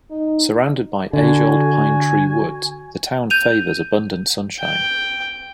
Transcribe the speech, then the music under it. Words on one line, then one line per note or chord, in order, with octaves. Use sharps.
Surrounded by age-old pine tree woods, the town favors abundant sunshine.
D#4
D3 F#4 G#5
G6 D#7 F7
G5